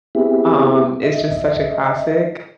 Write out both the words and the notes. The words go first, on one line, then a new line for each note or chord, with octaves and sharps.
um, it's just such a classic,
B3 C4 E4 G4 G#4 E5
D#5 E5